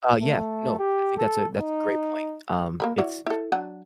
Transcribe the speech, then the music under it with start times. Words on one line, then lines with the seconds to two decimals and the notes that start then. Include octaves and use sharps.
Uh, yeah, no, I think that's a that's a great point, um, it's
0.22 A3
0.79 G4
1.18 A4
1.58 D#4
2.80 A#3 A#4 B5
2.98 E4 F#4 D5
3.26 E4 A4
3.52 F#3 D4 F#5